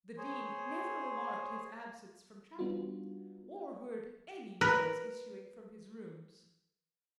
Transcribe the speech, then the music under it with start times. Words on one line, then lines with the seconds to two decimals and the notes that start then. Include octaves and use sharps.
The Dean never remarked his absence from Chapel, or heard any noise issuing from his rooms.
0.17 G#4 C5 C#5
2.59 G3 B3 D4 D#4 F4 F#4
4.61 A#4 B4